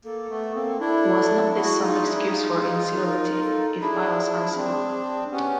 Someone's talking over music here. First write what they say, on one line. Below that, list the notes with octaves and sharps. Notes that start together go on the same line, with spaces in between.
Was not this some excuse for incivility, if I was uncivil?
A#3 A4
A3 B3
A#3 C4
D4 E4 A4 A#4
E4 F#4 G#4
D#4 F4
D4 E4
D#4 F4
A#4
A4
D4 E4 G#4
C4 D4
B3 C#4 G4